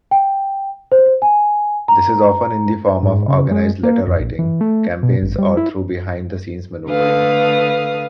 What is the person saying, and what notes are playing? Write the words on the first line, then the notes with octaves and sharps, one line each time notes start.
This is often in the form of organized letter-writing campaigns or through behind-the-scenes manoeuvring.
G5
C5
G#5
A#5
G#2
C#3
G#3
A#3
F2
A#1
E3
A3
B2
G#1
G3
E4
D3 A3 B4 F5 D#6